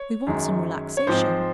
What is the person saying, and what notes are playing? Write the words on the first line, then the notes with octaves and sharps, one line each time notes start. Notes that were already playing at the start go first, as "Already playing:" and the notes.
"We want some relaxation."
Already playing: C#5
F#2 D#3 G#3
C#5
G#2 F3 C4 C5